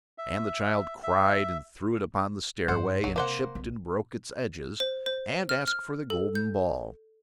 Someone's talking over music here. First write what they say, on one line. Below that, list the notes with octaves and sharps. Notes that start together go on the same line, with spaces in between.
And the child cried and threw it upon the stairway and chipped and broke its edges and asked for the golden ball.
E5
E5
G2 D#4 C5 F#5
A#1 F2 F#3
C3 A#3 C5 F#5
B1
C5
C5
F6
F6
A4
G6